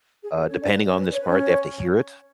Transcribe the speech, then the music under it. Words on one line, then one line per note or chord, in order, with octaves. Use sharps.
uh, depending on this part, they have to hear it,
G#4
A4
C#4 C#5
D4 D5
B4
C#4 C#5
B4
C#5
B4
C#4 C#5